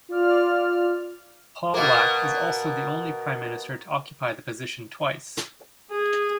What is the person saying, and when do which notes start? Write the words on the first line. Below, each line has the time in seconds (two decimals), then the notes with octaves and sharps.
Pawlak is also the only prime minister to occupy the position twice.
0.09 F4 D5 F6
1.74 B2 A#3
5.90 G#4